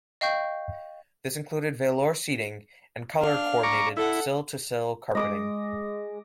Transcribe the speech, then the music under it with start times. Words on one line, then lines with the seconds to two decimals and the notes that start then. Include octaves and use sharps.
This included velour seating and color coordinated sill to sill carpeting.
0.21 D#5 F5 G5 C#6 G6
3.20 D4 F5
3.63 A#5 C#6 D6
3.97 E4 A4 F#5
5.15 G#3 D#5 D6 D#6